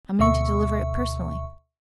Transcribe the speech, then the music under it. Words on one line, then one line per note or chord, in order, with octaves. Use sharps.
I mean to deliver it personally.
D2 B2 E5 C#6